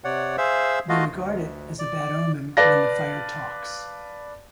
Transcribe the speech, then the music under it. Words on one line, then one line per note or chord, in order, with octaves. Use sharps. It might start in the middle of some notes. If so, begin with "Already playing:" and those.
They regard it as a bad omen when the fire talks.
C3 C#5 D5 F#5
G#4 C5 E5 F5 E6
A3 F4 F#4 D#5 F5
D2
D5
B4 D5 F5 A5 A#6